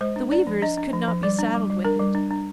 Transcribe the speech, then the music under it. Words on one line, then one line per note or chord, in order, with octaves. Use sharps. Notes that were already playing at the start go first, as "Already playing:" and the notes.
The weavers could not be saddled with it.
G#3 C5
D4
D4 D5
F3
D4 D#5
D4
F3
F3
G3 D5
D4
G3
G3
D4 A#4
G3
D4
D4